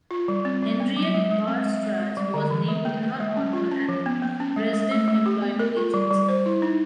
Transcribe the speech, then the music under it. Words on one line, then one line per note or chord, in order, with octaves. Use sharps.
Henriette-Heber-Strasse was named in her honor at the Dresden Employment Agency.
F4
G3
C4
G3
B3
F#3
G#3
G#3
C4
G#3
G#3
G#3
G3
D3
E3
G#3
A#3
A#3
G#3
C#4
F4
C#4
F3
B3
A#3
C#4
G#3
G#3
A3
A3
G4
B3
A#4
F4
G3
G3
C5
E4
D#4